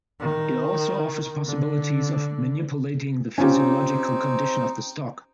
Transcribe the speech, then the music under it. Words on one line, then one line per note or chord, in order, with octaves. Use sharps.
It also offers possibilities of manipulating the physiological condition of the stock.
D#3
D3
C4 C#4 D#4 F4 G4